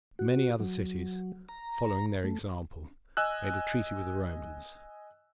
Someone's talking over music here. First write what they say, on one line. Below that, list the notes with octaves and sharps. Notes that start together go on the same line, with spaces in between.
Many other cities, following their example, made a treaty with the Romans.
F#4
F#3
A#5
A3
D#5 G#5 E6 F#6